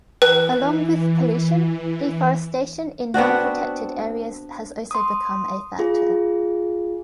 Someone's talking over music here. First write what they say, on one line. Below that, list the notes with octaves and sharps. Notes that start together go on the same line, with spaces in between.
Along with pollution, deforestation in non-protected areas has also become a factor.
E3 B4
B3 C4 D4 F#4
C6 D#6
F4 G#4